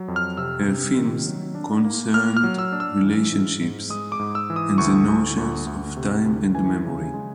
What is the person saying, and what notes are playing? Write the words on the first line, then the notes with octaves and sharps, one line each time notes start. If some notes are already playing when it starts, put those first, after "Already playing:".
Her films concerned relationships and the notions of time and memory.
Already playing: F#3
F2
F6
C3 E6
C3
D#3
F#3
D4
A#3
A#3 F6
F6
F#3
E6
D4
E6
E3
G#2
G#2
G#3 D#6
D6
G#2
E6
E3
D#6
D2 C#6
D2
D2
D2
C3
D2
E3 G#5
C#3
G#3